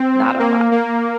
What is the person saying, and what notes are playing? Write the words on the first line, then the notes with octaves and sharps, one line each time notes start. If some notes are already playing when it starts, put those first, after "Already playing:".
not a lot.
Already playing: C4
A#3
A#3